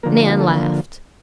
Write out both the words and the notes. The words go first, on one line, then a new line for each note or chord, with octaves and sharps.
Nan laughed.
D3 F3 A#3 A#4
A#4
G4
A4